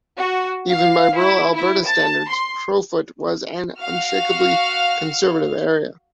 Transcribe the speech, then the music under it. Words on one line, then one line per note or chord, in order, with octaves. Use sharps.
Even by rural Alberta standards, Crowfoot was an unshakably conservative area.
F#4
F5
E4
E4
A5
C6
F#4 F5 F6